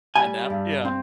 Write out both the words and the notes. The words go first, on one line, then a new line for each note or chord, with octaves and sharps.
and that yeah.
G3 G#5
G2
C4